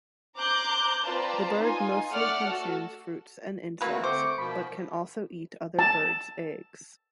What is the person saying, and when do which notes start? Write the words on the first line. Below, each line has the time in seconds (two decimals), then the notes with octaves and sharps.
The bird mostly consumes fruits and insects, but can also eat other birds' eggs.
0.36 C5 A#5 D6 F#6 G6
1.03 C4 F4 B4 D5 A5 A#5
1.59 D#4 F4 G#5
2.12 A3 D5 F#5 F6
2.44 F#4 A4
3.81 A3 A#3 C4 F#4 B4
4.04 D3 A3 C4 C5 C#6 D6
4.38 B2 D#3 F3 B5
5.79 A5